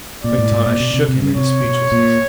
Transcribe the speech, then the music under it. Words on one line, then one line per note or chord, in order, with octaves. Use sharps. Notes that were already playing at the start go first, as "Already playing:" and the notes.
Quintana shook him into speechlessness.
A#2 D5
A2
G#2
A#2
B2
C3
C3
C#3
C3 C#5
B2
A#2